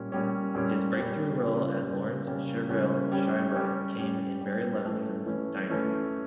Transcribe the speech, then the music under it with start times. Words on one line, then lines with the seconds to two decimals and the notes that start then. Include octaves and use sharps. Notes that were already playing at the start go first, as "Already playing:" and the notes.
His breakthrough role as Laurence "Shrevie" Schreiber came in Barry Levinson's "Diner".
Already playing: A#2 G3 C#4
0.12 A#2 G3 C#4
0.55 A#2 G3 C#4
0.98 A#2 G3 C#4
1.40 C#3 G3 A#3 C#4
1.83 C#3 G3 A#3 C#4
2.27 C#3 G3 A#3 C#4
2.69 C#3 G3 A#3 C#4
3.12 G3 C#4 G4
3.55 G3 C#4 G4
3.98 G3 C#4 G4
4.41 G3 C#4 G4
4.84 E3 A3 C#4
5.26 E3 A3 C#4
5.70 E3 A3 C#4